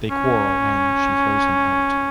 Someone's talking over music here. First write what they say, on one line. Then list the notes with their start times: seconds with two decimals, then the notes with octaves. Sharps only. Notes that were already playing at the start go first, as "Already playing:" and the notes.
They quarrel and she throws him out.
0.11 C#4